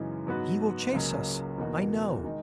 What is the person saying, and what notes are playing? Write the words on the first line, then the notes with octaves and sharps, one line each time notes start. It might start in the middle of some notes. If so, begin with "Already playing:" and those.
He will chase us, I know.
Already playing: F#2 C#3 E3 G#3 D#4
G#2 F#3 B3 F#4 B4
C#2 C#3 F#3 A#3
E2 B2 A#3 D#4 F#4
D#3 G#3 D#4